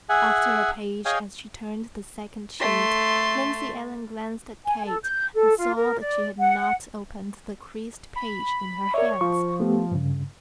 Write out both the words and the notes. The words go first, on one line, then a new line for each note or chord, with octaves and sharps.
After a page as she turned the second sheet Nancy Ellen glanced at Kate, and saw that she had not opened the creased page in her hands.
G#4 E5 F#5 G#5
G#4 C#5 D#5 F5 G5 G#5
A3 C6
G#5
A4
G6
A4
F4
A#4
D5
F#5
B5
A#4 C#5 D5 E5
F3 C#6
A3 B3 G4
G2 C#3